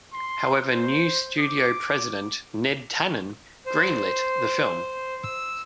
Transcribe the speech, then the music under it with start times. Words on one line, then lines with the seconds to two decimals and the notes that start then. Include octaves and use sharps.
However new studio president Ned Tanen greenlit the film.
0.13 C6
0.68 C5
1.40 D6
3.66 C5
5.23 E6